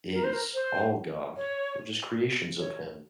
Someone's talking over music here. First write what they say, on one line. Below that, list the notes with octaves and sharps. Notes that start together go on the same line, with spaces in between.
is all God, we're just creations of him,
A#4
C5
A#4
C5
C#5
C#5